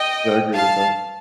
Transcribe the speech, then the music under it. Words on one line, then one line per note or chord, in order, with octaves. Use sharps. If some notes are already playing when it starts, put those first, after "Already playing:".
Yeah, I agree with that.
Already playing: D#5 G5
F5 A5